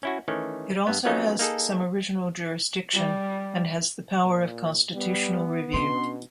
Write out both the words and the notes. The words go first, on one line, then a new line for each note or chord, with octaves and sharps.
It also has some original jurisdiction, and has the power of constitutional review.
C#4 E4 F#4
D#3 E3 A3 C#4
G2 B3
F3 F#3 A3 B3 C#4 D#4
A#3 D#4 G#4 A4
G3
A#2
G3 B3
B2 C#4 D4 C6